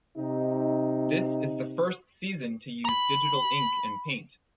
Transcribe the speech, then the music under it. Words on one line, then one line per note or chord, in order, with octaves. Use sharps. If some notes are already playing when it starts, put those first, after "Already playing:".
This is the first season to use digital ink and paint.
C3 D#4
A#5 B5